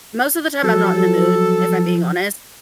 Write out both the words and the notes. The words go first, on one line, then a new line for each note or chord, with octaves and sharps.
most of the time I'm not in the mood, if I'm being honest.
F3 F#3 A4